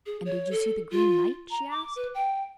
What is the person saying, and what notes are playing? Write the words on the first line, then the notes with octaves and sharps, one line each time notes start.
'And did you see the Green Knight?' she asked.
G#4
C#5
A4
F4
A#5
D6
B4
G5